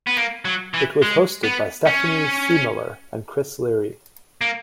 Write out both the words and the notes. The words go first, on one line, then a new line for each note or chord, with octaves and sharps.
It was hosted by Stephanie Siemiller and Chris Leary.
B3
A#3
F#3
E3
G#3
B3
C#4
A#3